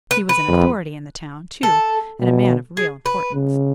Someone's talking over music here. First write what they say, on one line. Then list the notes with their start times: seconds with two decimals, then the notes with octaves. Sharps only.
He was an authority in the town, too, and a man of real importance.
0.11 B4
0.29 B4
0.49 F2
1.63 A4
2.20 B2
2.77 G#4
3.06 B4
3.33 C#3